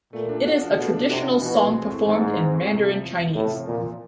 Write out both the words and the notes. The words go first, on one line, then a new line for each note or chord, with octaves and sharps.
It is a traditional song performed in Mandarin Chinese.
A#2 A3
D4
F#4
F3
B2 A3
D4
C3 F#4
F3
B2 E3
G#3
C4
A2
G#2 E3
G#3
C4
A2
C3
F3
E2
E2
A2 C3
F3
E2 A#2